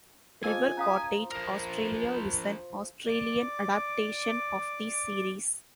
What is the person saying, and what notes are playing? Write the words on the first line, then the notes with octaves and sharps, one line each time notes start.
River Cottage Australia is an Australian adaptation of the series.
F3 G#4 D#5 G#5 D#6 E6
C#4 F5 A#5 D#6
F3 A#4
D5 D6